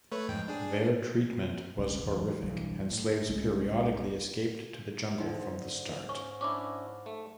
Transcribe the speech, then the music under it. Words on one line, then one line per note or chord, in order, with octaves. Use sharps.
Their treatment was horrific, and slaves periodically escaped to the jungle from the start.
A3 B4 C#5
F2 G#2 G5
D4 G#4
D4
E1 C2 G#2 C#3
D1 E2
D1 B1 G2 E3
A2
G1 C2 C#3 G#3
G#2 D3 C4 D#4
C#4 C#6
C#4 D4 E4 C#6 D6
A3